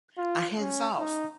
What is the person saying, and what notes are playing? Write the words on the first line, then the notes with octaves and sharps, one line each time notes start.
A Hands Off!
F4
C#4
D#4